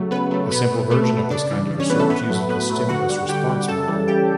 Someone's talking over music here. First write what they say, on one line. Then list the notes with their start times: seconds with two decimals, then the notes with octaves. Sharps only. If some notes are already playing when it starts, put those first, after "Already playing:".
A simple version of this kind of research uses the stimulus-response model.
Already playing: C#3 F#3 A3
0.11 C#3 B3 B4
0.31 F#3 A3
0.51 B2 B3 B4
0.70 A3
0.90 B2 A3 A4
1.10 A3
1.30 C#3 D4 D5
1.50 E3 G3
1.71 C#3
1.80 C#4 C#5
1.90 E3 G3 B3 B4
1.99 A3 A4
2.10 A2 B3 B4
2.30 F#3 A3
2.49 A2 B3 B4
2.70 F#3 A3
2.89 D3 F#4 F#5
3.09 G3
3.29 D3 G4 G5
3.49 G3
3.68 C#3 A4 A5
3.88 E3 G3
4.08 C#3 G4 G5